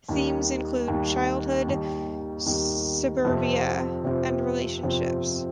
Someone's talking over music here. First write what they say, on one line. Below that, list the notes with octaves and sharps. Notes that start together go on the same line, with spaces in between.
Themes include childhood, suburbia and relationships.
D#2 D#3 G3
D#2 D#3 G3
D#2 D#3 G3
D#2 D#3 G3
F2 C3 F3 C4
F2 C3 F3 C4
F2 C3 F3 C4